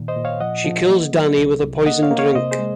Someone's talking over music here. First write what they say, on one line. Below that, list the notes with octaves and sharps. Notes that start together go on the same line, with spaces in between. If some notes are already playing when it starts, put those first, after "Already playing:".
She kills Danny with a poisoned drink.
Already playing: A#2 D#3
C5 D#5
A#2
C#5 F5
F3 D#5 F#5
F3
A#3
F#3
C2
C2
A#3 D#5 F#5
C#5 F5
A#3
C#5 F5
C3 C5 D#5
G#4 C5
G#3